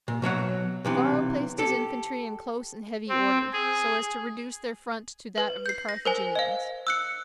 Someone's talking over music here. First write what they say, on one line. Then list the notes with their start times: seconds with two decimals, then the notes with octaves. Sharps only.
Varro placed his infantry in close and heavy order, so as to reduce their front to that of the Carthaginians.
0.08 A#2
0.22 B2 F#3 C#5 F#5
0.85 B1 C3 E3
1.58 G4 A4
3.09 C4
3.53 G#4
5.38 B4
5.66 G6 C7
5.89 A#6
6.05 A#4 C5 G#5
6.35 D#5 F5
6.87 E6 F#6 C#7